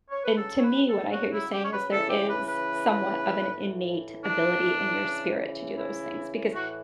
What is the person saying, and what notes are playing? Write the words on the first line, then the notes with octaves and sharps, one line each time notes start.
and to me, what I hear you saying is, there is somewhat of an innate ability in your spirit to do those things, because,
C#5
B4
C#3 F#3 A4
C#5
B4
A4
F#4
E4
G4
C#5
B4
C#3 E3 A4
G4
B4
B4
A2 E3
D4
C#3 E3
E4
A2 E3 F#4